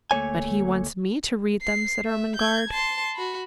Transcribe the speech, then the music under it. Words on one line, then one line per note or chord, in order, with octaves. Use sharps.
"But he wants me to read them," said Ermengarde.
D2 A3 A#3 C#5 G#5
C7
E5
G6 G#6
A5 C6
F#4 B5